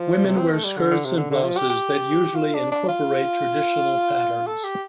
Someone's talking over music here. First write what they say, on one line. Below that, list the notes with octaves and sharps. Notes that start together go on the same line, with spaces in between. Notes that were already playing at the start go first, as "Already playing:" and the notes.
Women wear skirts and blouses that usually incorporate traditional patterns.
Already playing: F3
C3
C4
A3
G3
D3
D3
C3
D3
D3
F3
G4
G4
F4
D4
D4
F4
A4
G4